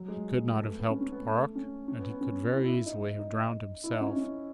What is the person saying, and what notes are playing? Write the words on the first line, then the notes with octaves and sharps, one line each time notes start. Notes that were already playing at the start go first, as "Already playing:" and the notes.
He could not have helped Park, and he could very easily have drowned himself.
Already playing: F#3
G#3
A3
B3
B3
C#4
C#4
B3
A3
C#4
C#4
B3
B3
C#4
E4
E4
E4
D#4
D#4
E4
D#4
C#4
D#4
C#4